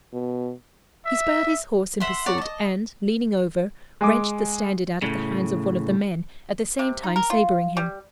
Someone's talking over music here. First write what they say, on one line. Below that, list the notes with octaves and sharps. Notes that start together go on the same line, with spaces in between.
He spurred his horse in pursuit, and, leaning over, wrenched the standard out of the hands of one of the men, at the same time sabering him.
B2
E5
E5 F#5 C6
C#5 D5 F#5 A#5
D#5 A5
G#3 G#5 D6
A2 C#3
C3
D#4
A#4
F4
G3